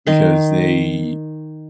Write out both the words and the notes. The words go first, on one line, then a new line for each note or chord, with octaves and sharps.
because they
D#3 C6